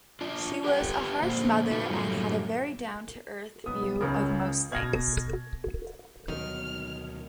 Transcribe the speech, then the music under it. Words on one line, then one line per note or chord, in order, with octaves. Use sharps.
She was a harsh mother, and had a very down-to-earth view of most things.
D4 F4 D5 A5
G4 B4 D5 F#5 G5
A#2 D3 A#3 C5
D#4 F4 F#4 B4 F5
F#2 A2 D3 F#3 G3 A3
B1 B3 D#6
C#2 C#3 A#4
B2 F6 G#6 A#6
D2 B2 D#3 F#3 F6